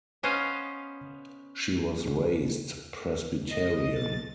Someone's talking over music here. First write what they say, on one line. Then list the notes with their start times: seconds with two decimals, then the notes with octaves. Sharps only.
She was raised Presbyterian.
0.23 B3 C#4 C5 D#5 F5
3.52 D#5
3.96 A6